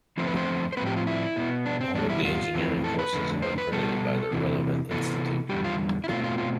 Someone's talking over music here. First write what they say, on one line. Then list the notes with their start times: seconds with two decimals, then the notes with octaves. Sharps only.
All of the engineering courses are accredited by their relevant institute.
0.18 E2 D3 F3 A3 C4 C5
0.27 B4
0.36 C5
0.73 C5
0.77 A2 F3 A3 C4 B4
0.86 G4
0.97 F4
1.07 E4
1.36 B2 B3
1.66 D4
1.81 C4
1.95 E2 B2 G3 D4
2.10 E4
2.25 F4
2.54 F2 E3 A3 C4
2.84 A4
2.99 B4
3.13 F2 D3 A3
3.42 C5
3.58 B4
3.72 B2 G3 B3 A4
4.31 E2 C3 E3
4.91 C3 E3 B3 A4
5.49 E2 D3 G3 G4
5.64 F4
6.04 E4
6.09 B2 A3 C4 F4
6.24 F4
6.38 F4